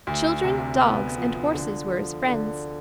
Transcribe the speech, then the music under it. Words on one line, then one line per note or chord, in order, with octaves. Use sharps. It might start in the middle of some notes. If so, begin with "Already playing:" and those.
Children, dogs and horses were his friends.
D2
C3
B3
F3
D3
F3
D3